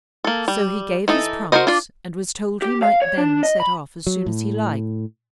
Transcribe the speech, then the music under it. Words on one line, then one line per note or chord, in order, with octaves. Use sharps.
So he gave his promise, and was told he might then set off as soon as he liked.
A#3 A4
G3
E3 D#4 A4
F#4 G#4 A#4 C5 D#5
D4 F4 D5
G4
F5
C#5
D4
D#5
B5
F#3
A2